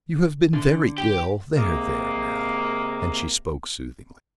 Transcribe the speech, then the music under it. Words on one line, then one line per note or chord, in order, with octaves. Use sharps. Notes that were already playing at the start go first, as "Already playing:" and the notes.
"You have been very ill; there, there, now!" And she spoke soothingly.
D3
G4
C3 G#3 A#3